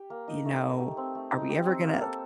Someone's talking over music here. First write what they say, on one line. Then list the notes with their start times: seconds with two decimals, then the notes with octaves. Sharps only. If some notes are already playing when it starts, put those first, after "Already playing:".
you know, are we ever gonna"
Already playing: G4
0.10 A#3
0.28 D#4
0.45 A3
0.62 D#4
0.80 G4
0.97 C4
1.15 A3
1.32 D#4
1.49 G4
1.66 C4
1.83 A#3
2.01 A4